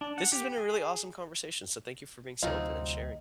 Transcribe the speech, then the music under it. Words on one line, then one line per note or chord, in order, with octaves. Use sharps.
this has been a really awesome conversation, so thank you for being so open and sharing.
D4
F#5
G4
G#4
D2 C3 F#3 C4 D#4 F4 D#5